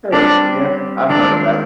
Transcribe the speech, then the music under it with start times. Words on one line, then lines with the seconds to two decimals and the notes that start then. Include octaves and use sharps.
Sure. Yeah, I've heard of that.
0.12 G3 C4 D4 G4
1.09 D#3 G#3 C4 D4 F4 A#4